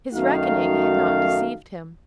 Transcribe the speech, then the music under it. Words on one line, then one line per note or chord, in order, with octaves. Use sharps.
His reckoning had not deceived him.
F#2 D#3 A3 D#4 F#4 F5